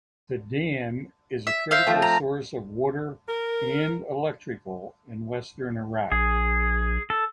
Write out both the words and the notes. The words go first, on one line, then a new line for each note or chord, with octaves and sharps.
The dam is a critical source of water and electrical in western Iraq.
E5
C5 E5 F5
F3 A3 C4
A#5
A#4
A#1 G#4
A4